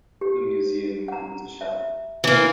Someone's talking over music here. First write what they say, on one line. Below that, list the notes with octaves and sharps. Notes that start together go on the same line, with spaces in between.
The museum includes a shop.
G4
F#5 A#5
E5
E3 A#3